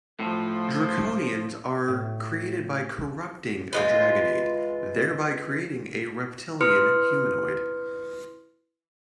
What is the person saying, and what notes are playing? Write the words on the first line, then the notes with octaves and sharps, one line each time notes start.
Draconians are created by corrupting a dragon egg, thereby creating a reptilian humanoid.
A2 F3
A2
E3 G#3 F4
E4 B4 C6 D#6 F6 C#7